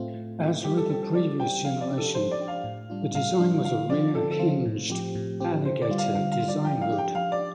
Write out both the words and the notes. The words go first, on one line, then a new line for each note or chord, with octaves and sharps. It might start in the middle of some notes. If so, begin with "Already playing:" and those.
As with the previous generation, the design was a rear-hinged "alligator"-design hood.
Already playing: A2 A3 C4 F4
A2
A3 C4 F4
G3 G4
A4
C4 G4 A4
A4
G3 D5
C4 G4 G5
F3 F5
D5
D4 G4
A4
F3 C5
D5
D4 G4
F5
A2
G3 D4 F4
A2 F5
G3 D4 F4
D3 F5
F3 C4 F4 D5
D3 A4
A4
F3 C4 F4
A2
F3 C4 G4
A2
F3 C4 G4
D3 C5
D5
G3 F4
F5
D3 F5
F5
G3 F4
D5
F3 G5
F5
D4 G4
G5
F3 F5
D5
D4